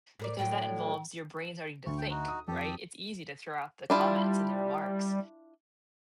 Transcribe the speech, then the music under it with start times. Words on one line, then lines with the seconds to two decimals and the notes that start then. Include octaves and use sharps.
because that involves your brain starting to think, right? It's easy to throw out the comments and the remarks,
0.19 A2 A#4 D5
0.39 A2 D3 F#3 G5
1.86 D2 C#6
1.98 G5
2.10 D#4 F#4
2.28 D#6
2.48 F2 G4 A4
3.90 G3 D4 E4 F4